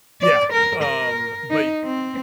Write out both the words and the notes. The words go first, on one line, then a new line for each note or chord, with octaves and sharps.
Yeah, um, but y
D5
A#4
A#4
D#4
C4